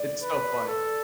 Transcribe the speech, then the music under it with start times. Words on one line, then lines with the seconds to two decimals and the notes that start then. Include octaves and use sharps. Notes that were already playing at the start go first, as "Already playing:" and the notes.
It's so funny.
Already playing: D5
0.23 B4
0.67 A4